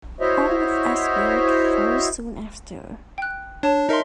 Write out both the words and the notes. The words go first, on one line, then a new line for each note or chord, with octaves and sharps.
All of Asgard falls soon after.
E4 F#4 C5 C#5 D#5 E5
G5 F#6
D4 C#5 A5
D#4 A#4 D#5 E5 C6